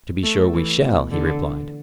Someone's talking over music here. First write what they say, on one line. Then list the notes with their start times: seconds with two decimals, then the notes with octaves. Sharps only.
To be sure we shall, he replied.
0.23 A3
0.53 E3
0.82 B2
1.11 D3